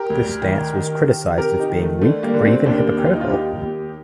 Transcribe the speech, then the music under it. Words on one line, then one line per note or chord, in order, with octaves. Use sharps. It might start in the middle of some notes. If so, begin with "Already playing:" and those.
This stance was criticised as being weak or even hypocritical.
Already playing: G4 A#4
D2
D#3
D#3
D#3
C3 G4 A#4
D#4 G4
D#3
A3
D3 A3
G3 A#3
D3
A3 C4
D#2 A#3 D4
D#2 G4
F4
D#4
D4 F4
D#2 D#4 G4
D#2